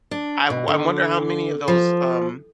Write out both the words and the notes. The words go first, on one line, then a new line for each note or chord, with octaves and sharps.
I'm I wonder how many of those, um
D4
B2
D3
F3